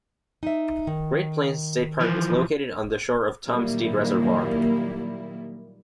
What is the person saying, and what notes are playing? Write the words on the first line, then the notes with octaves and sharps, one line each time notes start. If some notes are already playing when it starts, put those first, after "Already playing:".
Great Plains State Park is located on the shore of Tom Steed Reservoir.
D#4 E5
D#3
E3 F3
A#2 D#3 F#3 G3 A#3 E4